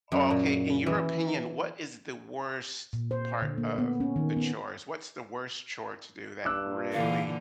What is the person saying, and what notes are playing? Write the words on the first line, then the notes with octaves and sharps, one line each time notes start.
Oh, okay, in your opinion, what is the worst part of the chores? What's the worst chore to do that really
F#2
A#2
E3
A#2
C5
D3
A#3
B3
C#4
D#3
B3
G2 D6 E6 F#6
A#2 D3 E3 F5